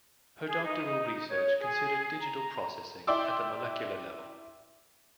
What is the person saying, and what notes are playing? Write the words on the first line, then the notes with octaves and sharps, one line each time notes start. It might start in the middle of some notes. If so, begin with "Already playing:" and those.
Her doctoral research considered digital processing at the molecular level.
G#4
D#4
C#5
G#4
A#5
E4 D5 G5 C6 D6 E6